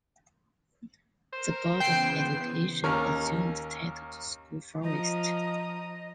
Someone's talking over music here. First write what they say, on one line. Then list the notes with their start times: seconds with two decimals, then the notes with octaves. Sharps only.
The board of education assumed title to school forest.
1.33 A#4 C5
1.80 C#3 E3 B3 G5 C7
2.84 D#2 C#4 A#4 C#6
4.84 F3 D#5 A#5 D#6